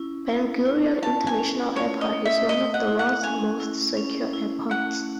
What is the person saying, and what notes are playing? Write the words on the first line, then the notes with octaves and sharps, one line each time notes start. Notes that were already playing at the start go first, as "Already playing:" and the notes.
Ben Gurion International Airport is one of the world's most secure airports.
Already playing: C#4 E4
E4
E4
C#4 A5
G#5
C#4
A3 C#5
D#5
A3
E5
A3 D#5
F#5
E4
F#5
C#4 G#5
E4
C#4
E4
A3 F#5